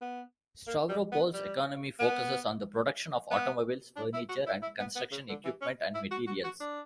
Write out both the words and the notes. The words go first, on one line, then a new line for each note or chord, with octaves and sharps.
Stavropol's economy focuses on the production of automobiles, furniture, and construction equipment and materials.
B3
A#3
G3
B3
G3
B3
B3
D4
E4
F#4
E4
E4
B3
B3
C#3
D3
E3
C#4
E4
F#4
F#4
F#4
D4